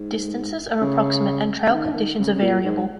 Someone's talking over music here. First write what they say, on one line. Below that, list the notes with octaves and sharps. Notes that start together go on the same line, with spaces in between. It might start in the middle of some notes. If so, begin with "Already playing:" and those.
Distances are approximate and trail conditions are variable.
Already playing: G#2
C#3
C#3
D#3
D#3
C#3
C#3
A#2
G#2